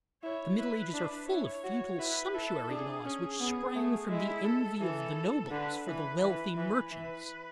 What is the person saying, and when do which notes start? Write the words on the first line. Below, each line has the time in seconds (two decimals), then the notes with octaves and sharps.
The Middle Ages are full of futile sumptuary laws which sprang from the envy of the nobles for the wealthy merchants.
0.23 E4 C#5
0.58 E4 B4
0.93 D4 B4
1.28 E4 C#5
1.64 F#4
1.99 E4 B4
2.34 E4 A4
2.70 D4 G#4
3.04 C#4 G#4
3.40 B3
3.76 A3
4.10 G#3 E4
4.45 A4
4.81 E3 A4
5.51 D3 B4
5.86 E3 B4
6.22 E3 B4
6.57 E3 B4
6.92 E3 B4